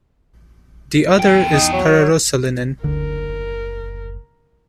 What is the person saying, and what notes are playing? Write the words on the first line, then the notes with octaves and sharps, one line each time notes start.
The other is pararosaniline.
E2 G5
D#4
F#3
F#1 D2 D3 A#4